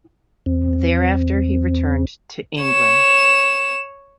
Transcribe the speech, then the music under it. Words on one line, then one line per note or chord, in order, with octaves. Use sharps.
Thereafter, he returned to England.
E2 C4
C#5 E7